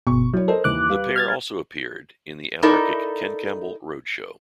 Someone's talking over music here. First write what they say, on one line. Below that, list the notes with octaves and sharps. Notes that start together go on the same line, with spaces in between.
The pair also appeared in the anarchic Ken Campbell Road Show.
G1 B2 C#6
F#3 E4 C#5
A4 A#4 C5 D#5
D#2 E3 D6 F#6
G3 B4 F5
F6 G#6 A6
D#4 E4 A4 A#4 D5 E5